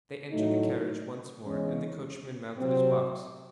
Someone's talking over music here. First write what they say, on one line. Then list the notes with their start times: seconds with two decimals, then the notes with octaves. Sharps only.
They entered the carriage once more, and the coachman mounted his box.
0.31 A2 F#3 A3 D#4
1.45 E2 C#3 G#3 C#4
2.58 C3 F#3 C4